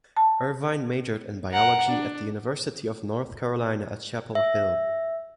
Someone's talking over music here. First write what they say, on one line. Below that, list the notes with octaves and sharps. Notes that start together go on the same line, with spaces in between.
Irvine majored in biology at the University of North Carolina at Chapel Hill.
A5
A#4 F#5
D4
E5